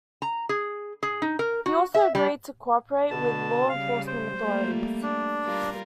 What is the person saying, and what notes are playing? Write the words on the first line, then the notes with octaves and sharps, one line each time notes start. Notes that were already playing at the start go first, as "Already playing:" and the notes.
He also agreed to cooperate with law enforcement authorities.
A#5
G#4
G#4
D#4
A#4
F#4
E5
G3
B2 D3 A5
C#3 G3 F5
C5
G3 A3 A#3
D4
G3 F4 A#4